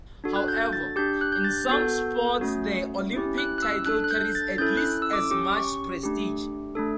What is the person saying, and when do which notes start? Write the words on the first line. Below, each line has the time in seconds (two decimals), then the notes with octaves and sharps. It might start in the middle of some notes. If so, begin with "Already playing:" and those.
However, in some sports the Olympic title carries at least as much prestige.
0.24 D4 F#4 A4
0.36 F#6
0.48 G6
0.73 A6
0.96 D4 G4 G6
1.21 F#6
1.32 G6
1.44 A6
1.69 B3 F#4 A4 G6
2.41 A3 C#4 F#4
3.13 C#4 E4 G4
3.38 F#6
3.58 F#6
3.63 E6
3.86 D4 A4 F#6
4.04 F#6
4.11 G6
4.35 A6
4.58 C#4 E4 A4 G6
4.77 F#6
5.02 E6
5.13 D6
5.31 C#4 G4 D6
5.56 C#6
6.03 A3 D4 G4
6.75 A3 D4 A4